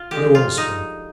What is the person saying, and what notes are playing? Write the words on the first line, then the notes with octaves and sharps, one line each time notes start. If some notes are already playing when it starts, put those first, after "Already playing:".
No one spoke.
Already playing: F4
D3 F3 G#3 G4
F4
D#4